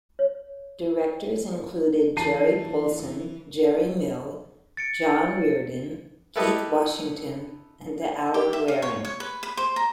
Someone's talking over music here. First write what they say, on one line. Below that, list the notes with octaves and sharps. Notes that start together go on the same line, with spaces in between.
Directors included Gerry Poulson, Gerry Mill, John Reardon, Keith Washington and Alan Wareing.
C#5
E3 A5 C7 D#7
A6 C#7 D7
E4 G4 A4 B4 D#5
G4
E5
F5
C#5
C#5
B4
B5
C5
A#5